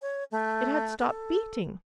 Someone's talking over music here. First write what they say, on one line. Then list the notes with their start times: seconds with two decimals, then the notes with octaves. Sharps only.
It had stopped beating.
0.02 C#5
0.31 A3
0.99 A4